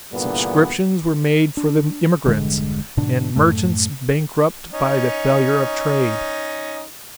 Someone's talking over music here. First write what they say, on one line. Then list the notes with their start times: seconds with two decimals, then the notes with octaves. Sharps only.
Subscriptions were made for the emigrants, and merchants bankrupt by the failure of trade.
0.13 G2 A#2 D3 E3 B3
1.57 D4
2.26 E1 G2 D3 G#3
2.97 G#2 B2 D3 D4
3.36 F#2 A2 A3
4.73 C#4 D#4